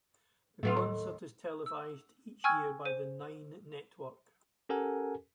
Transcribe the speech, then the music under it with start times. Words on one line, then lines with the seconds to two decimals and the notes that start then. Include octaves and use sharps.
The concert is televised each year by the Nine Network.
0.63 A2 F#3 A3 B3 F4
0.76 D#2
1.66 E6
2.44 G5 G#5 C#6 E6 F6 G#6
2.85 C5 D#7
4.69 C#4 G4 A4 A#4 F#5 G#5